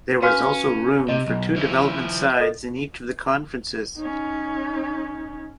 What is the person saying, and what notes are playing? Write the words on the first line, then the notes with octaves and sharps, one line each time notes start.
There was also room for two development sides in each of the conferences.
C#4 F#4 B4 F5
C3 D#5
B1
F3 E4
A4 D#5
C#4 D#4